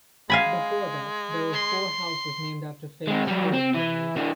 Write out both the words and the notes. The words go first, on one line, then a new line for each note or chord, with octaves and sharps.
Before that, there were four houses named after famous sporting venues.
G#3 F5 G#5 B5
C6
G#3 C4
F#3 G3
C4
E3
E3 D4